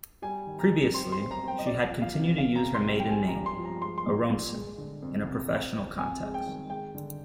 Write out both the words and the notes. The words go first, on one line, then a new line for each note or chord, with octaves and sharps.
Previously, she had continued to use her maiden name, Aronson, in a professional context.
G3 G#5
D#3
A#5
G3
C4 C6
C6
C4
A#5
C4
G5
D#5
F2 D5
F3
F5
C3
C2 F5
A#5
C2
C6
G3
G5
F3 G#5
A#5
G2
C6
F3
A#5
G#3 C6
C6
A#2
A#2
G#3
D3
F2
C2
C4
C4
F2 G#5
G#3
G5
D#3
G#3 G5
D3